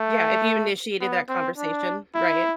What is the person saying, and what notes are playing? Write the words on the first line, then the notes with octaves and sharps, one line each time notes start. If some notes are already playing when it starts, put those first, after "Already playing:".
Yeah, if you initiated that conversation, right.
Already playing: A3
B3
C4
D4
E4